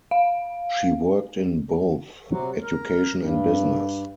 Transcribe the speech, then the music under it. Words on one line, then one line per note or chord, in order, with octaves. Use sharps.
She worked in both education and business.
F5
C3 F#3
A#4
G2